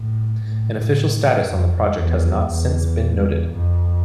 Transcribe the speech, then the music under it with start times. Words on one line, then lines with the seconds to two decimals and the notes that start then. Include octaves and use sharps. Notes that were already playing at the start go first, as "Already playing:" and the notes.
An official status on the project has not since been noted.
Already playing: A2
0.44 A2
1.45 F2
1.97 E2
2.48 E2
3.49 F2